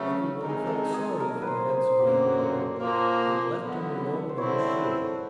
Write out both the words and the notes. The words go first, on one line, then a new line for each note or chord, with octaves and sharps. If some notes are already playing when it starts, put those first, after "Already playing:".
Everyone felt sorry for the handsome young fellow and left him alone on the shore.
Already playing: C#3 F#3 A3 C#4 B4
C3 D#3 G#3 A#4
A4
G#4
A4
D#3 F#3 A#3 A#4
B4
C5
C5
F#2 D3 F#3 A#3 G4
G#4
A4
A#2 F3 A#3 C5
D3 F#3 B3 E4
C5
D3 G3 C4 E4 C#5
C5
B4
A4